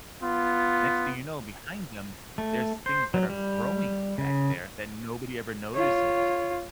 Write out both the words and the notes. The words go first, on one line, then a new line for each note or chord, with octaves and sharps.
Next thing you know, behind them, there's things that are growing back there that nobody ever notices.
B3 F4
A3
C5
F#3
G3
C#3
F4 C#5